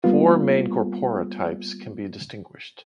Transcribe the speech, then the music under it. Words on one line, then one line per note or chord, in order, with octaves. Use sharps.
Four main corpora types can be distinguished.
G3 A#3 B3 F4